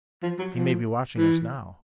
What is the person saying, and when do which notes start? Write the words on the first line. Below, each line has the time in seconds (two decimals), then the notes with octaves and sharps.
"He may be watching us now."
0.23 F3
0.39 F#3
0.55 F3
1.17 E3